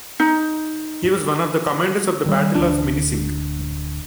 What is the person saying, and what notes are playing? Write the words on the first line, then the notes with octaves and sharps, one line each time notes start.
He was one of the commanders of the Battle of Minisink.
D#4
D#3 G3
D1 D2 D4